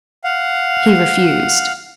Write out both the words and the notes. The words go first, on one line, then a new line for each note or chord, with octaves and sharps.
He refused.
F5 F#5